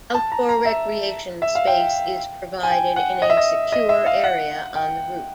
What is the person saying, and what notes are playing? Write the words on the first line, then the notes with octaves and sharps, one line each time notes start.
Outdoor recreation space is provided in a secure area on the roof.
A5
A#5
A#5
E5
E5
F5
G5
G#5
G5
F#5
D#5
E5
D#5
D#5
E5
F5
F#5
G5